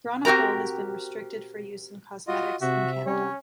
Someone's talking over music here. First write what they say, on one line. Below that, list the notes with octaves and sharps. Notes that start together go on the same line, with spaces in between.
Bronopol has been restricted for use in cosmetics in Canada.
C4 F#4 G4 A#4 A#5
F4 F#4 D#5
C3 F#4 E5
C3 G3 C#4 C#5